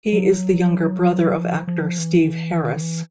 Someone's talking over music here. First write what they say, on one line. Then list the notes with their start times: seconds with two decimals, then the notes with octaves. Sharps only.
He is the younger brother of actor Steve Harris.
0.13 F#3
1.36 F3
1.67 F3
1.99 E3
2.61 D#3
2.81 E3